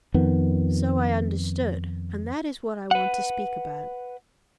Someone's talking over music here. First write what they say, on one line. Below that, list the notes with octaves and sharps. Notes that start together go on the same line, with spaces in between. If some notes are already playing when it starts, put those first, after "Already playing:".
'So I understood; and that is what I want to speak about.
F2 D#3 B3
B4 F#5